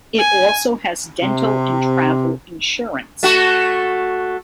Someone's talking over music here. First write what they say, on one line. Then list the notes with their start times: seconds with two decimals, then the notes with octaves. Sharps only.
It also has Dental and Travel insurance.
0.18 G#5
1.22 C3
3.23 A3 F#4